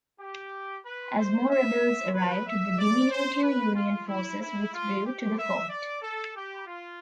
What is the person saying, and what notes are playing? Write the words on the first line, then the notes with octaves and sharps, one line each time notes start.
As more Rebels arrived, the diminutive Union forces withdrew to the fort.
G4
B4
C5
E5
B4
E5
D5
C5
B4
F4
E4
E4
F4
G4
E5
D5
A4
G4
F4